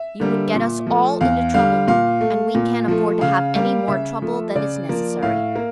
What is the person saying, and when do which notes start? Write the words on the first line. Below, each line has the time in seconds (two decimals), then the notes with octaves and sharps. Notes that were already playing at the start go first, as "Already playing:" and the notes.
You would get us all into trouble, and we can't afford to have any more trouble than is necessary.
Already playing: E5
0.20 D3 G3 A#3
0.54 A#2
0.87 F3 A3
1.21 E2 F5
1.54 D3 G3 F5
1.88 A#2 F5
2.21 A3
2.55 A#2
2.88 F3 A3
3.21 C#3 F5
3.55 G3 A#3 F5
3.88 C#3 E5
4.22 F3 A3
4.55 C#3 D5
4.89 F3 A#3
5.23 A2 F5
5.55 A#3